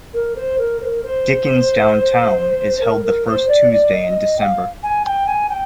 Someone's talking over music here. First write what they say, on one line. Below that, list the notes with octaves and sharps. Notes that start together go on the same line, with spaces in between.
Dickens Downtown is held the first Tuesday in December.
A#4
C5
A#4
C5
A#4
C5
A#4
A#4
C5
D5
D5
D#5
D#5
G5
F5
G#5
G5
G#5
G5